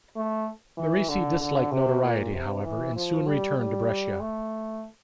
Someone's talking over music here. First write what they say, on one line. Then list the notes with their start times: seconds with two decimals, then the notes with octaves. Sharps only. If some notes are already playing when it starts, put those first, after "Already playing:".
Merici disliked notoriety, however, and soon returned to Brescia.
0.16 A3
0.77 E3
1.09 D3
1.41 D3
1.71 C3
2.02 A#2
2.34 C3
2.64 E3
2.96 F3
3.27 G3
3.58 G3
4.20 A3